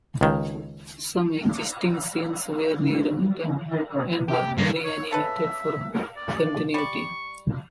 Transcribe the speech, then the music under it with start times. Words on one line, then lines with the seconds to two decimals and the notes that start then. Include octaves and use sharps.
Some existing scenes were rewritten and reanimated for continuity.
0.21 C#2 D#3
4.28 G4
4.58 G2 A#3
4.84 C#5
5.11 C#3 A4 B4 E5
6.16 D5
6.74 G3 D5 C#6